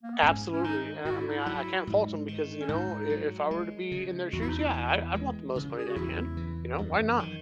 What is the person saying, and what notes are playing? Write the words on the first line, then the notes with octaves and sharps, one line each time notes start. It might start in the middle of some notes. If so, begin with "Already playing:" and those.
Absolutely. Eh, I mean I I can't fault them because you know I if I were to be in their shoes, yeah I I want the most money that I can. You know, why not?
A#3
B3
G#2 C#4
C#4
D#3 D#4
G#2 F#4
E4
D#4
E4
F#3
G#2
D#3
C#4
G#2 D#4
F#3
G#3
C#3
E2 F#4
E4
D#4
E4
E3
G#3
C#3
G#4
F#4
E2 E4
E3
F#2
D#3